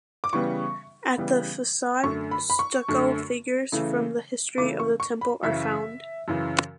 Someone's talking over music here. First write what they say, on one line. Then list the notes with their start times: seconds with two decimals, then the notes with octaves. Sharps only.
At the facade stucco figures from the history of the temple are found.
0.24 D6
0.33 C#3 E3 G3 B3 C#6
1.17 C#3 E3 G3 B3
2.04 F#2 D3 A3 C#6
2.31 B5
2.50 B5
2.59 C#6
2.89 F#2 D3 A3
3.72 C#3 E3 A3
4.57 C#3 E3 A3 D6
4.80 C#6
5.00 C#6
5.21 B5
5.43 F#2 C#3 E3 E5
6.28 F#2 C#3 E3